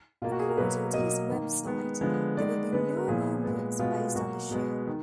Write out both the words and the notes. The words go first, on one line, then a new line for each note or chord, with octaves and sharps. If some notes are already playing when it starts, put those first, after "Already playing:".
According to his website, there will be no more books based on the show.
B2 A#3 F4
F#4
G#4
A#4
B2 F#3 A#3 B4
B2 F#3 A#3 D#5
D#3 A#3
D#3 G#3 B3
D3 F3 G#3 B3
D#3 G#3 B3 D5
D3 G#3 B3 B4
A#4
A#2 F3 B3 G#4
A#2 G#3 B3
B2 G#3 B3 F4
B2 F#3 A#3 F#4
B2 G#3 B3
D#3